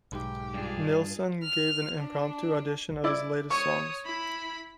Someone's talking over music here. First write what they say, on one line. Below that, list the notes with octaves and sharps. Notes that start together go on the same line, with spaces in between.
Nilsson gave an impromptu audition of his latest songs.
B1 G#2 G4
G2 D4 F4 G#4
F6
D4
E4 D5
C#5 C#6 D#6
E4 B5